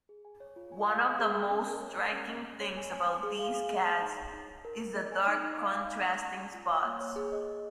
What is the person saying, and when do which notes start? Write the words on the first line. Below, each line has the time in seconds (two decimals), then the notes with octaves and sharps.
One of the most striking things about these cats is the dark contrasting spots.
0.09 G#4
0.25 G#5
0.40 C#5
0.56 F4
0.72 G#5
0.87 F5
1.03 G#5
1.19 G#4
1.34 G#4
1.51 C#4
1.66 A#4
1.82 C#5
1.98 A#4
2.13 C#4
2.29 C#4
2.45 A#3
2.60 C#5
2.77 G#5
2.92 G#5
3.07 G#5
3.23 G#4
3.39 F5
3.54 G#4
3.71 G#4
3.86 G#5
4.02 D#4
4.18 C#5
4.33 D#4
4.49 D#4
4.65 A#4
4.80 A#4
4.96 D#5
5.12 G#5
5.28 D#4
5.43 D#4
5.60 F5
5.75 F5
5.91 G#5
6.06 G#5
6.22 C#4
6.37 G#5
6.53 F4
6.69 C#5
6.85 A#3
7.01 C#5
7.16 G#4
7.32 D#5
7.47 G#4